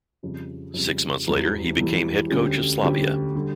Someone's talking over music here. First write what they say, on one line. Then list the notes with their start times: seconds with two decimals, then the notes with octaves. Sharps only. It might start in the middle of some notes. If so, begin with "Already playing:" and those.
Six months later, he became head coach of Slavia.
0.23 F2 C#3 G3
0.74 F2 C#3 G3
1.27 E1 E2 E3 G3
1.79 E1 E2 E3 G3
2.30 D2 D3 G3 C#4 G4
2.83 D2 D3 G3 C#4 G4
3.35 D3 G3